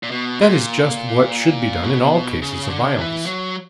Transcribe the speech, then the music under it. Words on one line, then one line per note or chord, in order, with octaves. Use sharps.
That is just what should be done in all cases of violence.
A#2
B2
A#2
B2
C#3
D3
E3
F#3